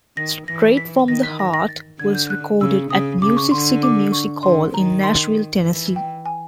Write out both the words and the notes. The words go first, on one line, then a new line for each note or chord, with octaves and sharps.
"Strait from the Heart" was recorded at Music City Music Hall in Nashville, Tennessee.
D#3 A#6
E3 A#6
B6
D#3 A#6
B6
A#6
A#6
A6
D3 G#6
G6
F#6
C#3 E6
C#3 D#6
C#3 D6
C#6
D3 C6
D6
C#6
D3 C6
D#3 A#5
C6
E3
G5
G#5